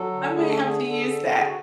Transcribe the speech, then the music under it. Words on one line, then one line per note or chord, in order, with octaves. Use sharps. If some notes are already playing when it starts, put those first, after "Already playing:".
I might have to use that.
Already playing: F#3 A4
D3
A3 G#4
A4
D3 G#4
D3
A4
D3 G#4
A4
D3 A4
G#4
F#4